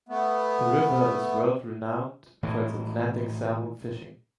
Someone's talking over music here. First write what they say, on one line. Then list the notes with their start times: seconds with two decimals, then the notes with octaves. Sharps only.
The river is world-renowned for its Atlantic salmon fishing.
0.09 A3 B3
2.43 A2 D#3 E3